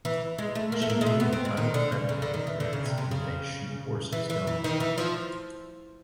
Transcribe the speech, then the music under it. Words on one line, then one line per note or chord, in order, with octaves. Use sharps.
She made an uncredited appearance in They Shoot Horses, Don't They?
E3
G#3
A3
A#3
A3
A#3
G#3
A3
B3
C4
G#3
D#3
D3
C#3
C#3
D3
D#3
E3
D3
C#3
C3
C3
C#3
E3
E3
E3
D#3
E3
F3